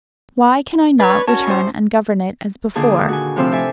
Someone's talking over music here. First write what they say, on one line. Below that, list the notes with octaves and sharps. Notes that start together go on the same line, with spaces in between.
"Why can I not return and govern it as before?"
D4 B4 C#5
C#4 F#4 A#4 C#5 A5
A2 C5
D#2 A#2 D3 D4 G#4 D#6
F#4 G#5
A2 C3 F3 C4 C5 E6
G4 A4 E5 G#5